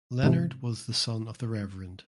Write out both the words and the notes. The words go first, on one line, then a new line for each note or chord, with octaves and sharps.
Leonard was the son of the Rev.
G#2 C3